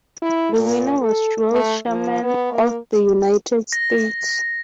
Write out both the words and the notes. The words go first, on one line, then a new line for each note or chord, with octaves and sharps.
The winner was Joel Sherman of the United States.
E4
A#2
A4
A3
F3
B3
A#3
A#6